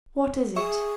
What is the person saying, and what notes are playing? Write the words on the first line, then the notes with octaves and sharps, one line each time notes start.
"What is it?"
G#4 E5 C#6